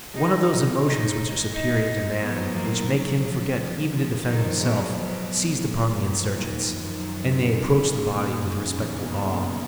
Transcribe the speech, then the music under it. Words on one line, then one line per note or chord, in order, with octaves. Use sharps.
One of those emotions which are superior to man, which make him forget even to defend himself, seized upon the insurgents, and they approached the body with respectful awe.
G#3 D#4
D#4
D#4
D#4
F#3 B3
F3
F#3
F3 A#3
D#3
F#3
F3
F3
F3
D#3 F#3
F3
B2 G#3
F#3
B2 F3
A#2
F#3
F3
A#2 D#3
F#2
D#3
F3
F#3
F3
D#3
C#3
B2
A#2
A#2
C#3
F#2 D#3
C#3
F2 B2
A#2
A#2
F#2 B2
C#3
B2